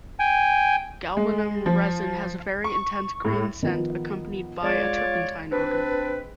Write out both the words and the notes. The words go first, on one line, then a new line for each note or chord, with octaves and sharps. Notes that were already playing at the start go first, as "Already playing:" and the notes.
Galbanum resin has a very intense green scent accompanied by a turpentine odor.
G5 G#5
G#3
F3
C#6
A2
D#3 F3 B3
G#3 F4 C#5 D5
C4 D4 B4